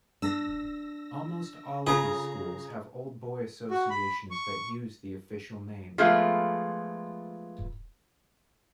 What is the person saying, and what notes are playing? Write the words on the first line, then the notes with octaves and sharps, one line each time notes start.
Almost all of these schools have old boy associations that use the official name.
D4 E6 A#6
C#3 F4 G#4 A4 A#5
F#4
B5
C#6
F3 G#3 A3 B3 F4